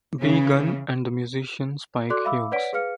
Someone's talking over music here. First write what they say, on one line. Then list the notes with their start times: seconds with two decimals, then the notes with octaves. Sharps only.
B. Gunn and the musician Spike Hughes.
0.19 C#3 E3
2.10 F#4 A4 D5 C6 D6 F#6
2.25 E5 F5 B5 D6 E6
2.51 B4 C#5 D5 F#5 B6 D7
2.73 G#4 B4 F5 F6 C#7